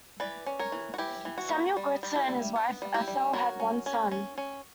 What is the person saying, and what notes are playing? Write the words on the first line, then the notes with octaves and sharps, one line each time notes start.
Samuel Greitzer and his wife Ethel had one son.
E3 B4 D5
C#4
A#4 C#5
E3
F#4
E3 E4 G4
E3
F#4
A#3
G3
G3
E4 G4
G3
B3
G3
E4 G4
G3
F#3 F#4 A#4
C#4
C#4
C#4
C#4